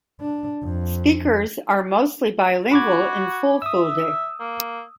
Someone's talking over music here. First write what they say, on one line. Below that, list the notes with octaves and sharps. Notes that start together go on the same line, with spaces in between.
Speakers are mostly bilingual in Fulfulde.
D4
F2
F#4 B5 D6 G#6
E5 D#6 E6
A#3